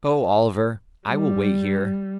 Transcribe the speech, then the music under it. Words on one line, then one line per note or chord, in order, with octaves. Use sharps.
"Go, Oliver; I will wait here."
G3